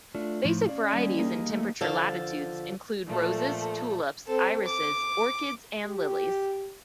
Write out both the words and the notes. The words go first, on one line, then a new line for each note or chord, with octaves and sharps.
Basic varieties in temperate latitudes include roses, tulips, irises, orchids and lilies.
A3 D4 F4
A2 F3 D#4
C#4 D5 F5
D#2 G3
A#3 D#4 G#4
A3
D3 F3 A4
A#2 F3 A3 A4
C4 A4
D6
G4